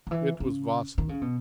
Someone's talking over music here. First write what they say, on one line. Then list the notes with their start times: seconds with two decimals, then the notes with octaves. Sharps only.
It was Vasily.
0.07 D#3
0.11 E3
0.40 C#3
0.98 D#3
1.09 C#3
1.21 B2